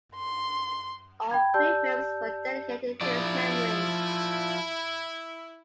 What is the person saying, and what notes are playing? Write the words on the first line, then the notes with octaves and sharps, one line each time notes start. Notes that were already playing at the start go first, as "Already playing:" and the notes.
All three films were dedicated to his memory.
C6
G5 B5 G#6
G4 D5 A5 E6 G6
F3 E4 D5